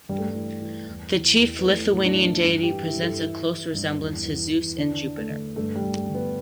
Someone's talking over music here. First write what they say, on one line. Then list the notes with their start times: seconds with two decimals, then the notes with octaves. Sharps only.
The chief Lithuanian deity presents a close resemblance to Zeus and Jupiter.
0.09 G2 G3
0.18 A3
0.28 G3
0.35 E3
0.61 E3
0.87 E2
1.13 E2
1.39 E2
1.59 B3
1.65 E3 A3
1.91 A2
2.05 D4
2.13 E3 E4
2.24 D4
2.44 G2 E4
2.63 G4
2.70 E3
2.83 E4
2.96 G2
3.02 A4
3.22 E3 E4
3.48 E3
3.74 G2
4.00 E2
4.26 E2
4.52 E3
4.78 D3 D4
5.04 D3
5.17 A3
5.30 D3
5.56 G2 A3
5.75 G3
5.82 G2
5.95 A3
6.08 D3
6.15 B3